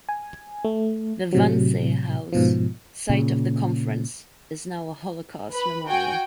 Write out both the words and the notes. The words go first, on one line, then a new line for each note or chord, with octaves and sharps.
The Wannsee House, site of the conference, is now a Holocaust memorial.
G#5
A3
A2 C3 F#3
G#2 B2 F3
A#2 C#3
B4 B5
F#4 G5 G#5